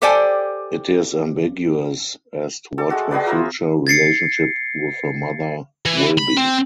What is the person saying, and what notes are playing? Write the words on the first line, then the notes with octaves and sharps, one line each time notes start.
It is ambiguous as to what her future relationship with her mother will be.
G4 A4 C5 D5 G5 G#5
A4 D6
G#3 A3 F#4
F#4 G#4 B4 D5
F4 A#4 C5 E5
G#6 A6 C7 C#7
E3
B5
C4